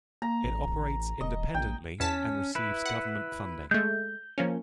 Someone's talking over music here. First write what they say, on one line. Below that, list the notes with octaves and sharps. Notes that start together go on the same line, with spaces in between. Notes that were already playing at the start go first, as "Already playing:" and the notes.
It operates independently, and receives government funding.
A#3 A#5
A1
D#1 D#5
A#1 G5
E2 C#4 A5 B6
E4 B4
F#5
G#3 A3 G6
F3 A#3 C#4